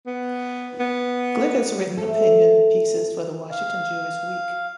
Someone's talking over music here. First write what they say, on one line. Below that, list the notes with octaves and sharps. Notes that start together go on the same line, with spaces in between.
Glick has written opinion pieces for the "Washington Jewish Week".
B3
B3
A3 A4
F5